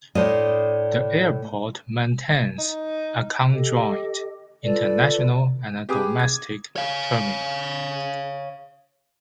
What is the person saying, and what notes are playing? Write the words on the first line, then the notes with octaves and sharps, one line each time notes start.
The airport maintains a conjoined international and domestic terminal.
A2 D4 C5 D#5
D#4
G4 A4 D#5
F4 A4 B4 D5
G4 G#4 B4 D6 D#6
G#6
C#5 F5